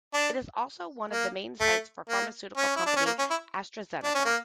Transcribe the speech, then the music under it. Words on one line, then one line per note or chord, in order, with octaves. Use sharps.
It is also one of the main sites for pharmaceutical company AstraZeneca.
D4
A#3
A3
A#3
C#4
E4
D4
C#4
A#3
C#4
E4
D4
C#4
A#3